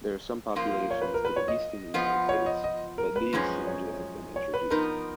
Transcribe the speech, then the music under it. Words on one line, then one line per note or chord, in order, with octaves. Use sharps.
There are some populations to the east in the United States, but these seem to have been introduced.
F#2 F3 A#3 F4
C#5
B4
A#4
B4
C#5
D#5
F3 B3 F4
C#5
D#5
D#5
A#4
B4
F#2 F3 G#3 C#4
C#5
C#5
B4
F3 B3 D#4 A#4